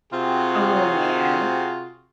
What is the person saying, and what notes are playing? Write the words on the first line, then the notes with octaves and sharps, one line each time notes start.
Oh, man.
C3 C4 F4 F#4 G#4